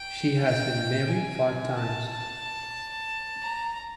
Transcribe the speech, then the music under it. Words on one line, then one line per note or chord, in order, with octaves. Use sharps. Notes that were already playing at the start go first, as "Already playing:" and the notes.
She has been married five times.
Already playing: G5
G5
G#5
A5
A5
A#5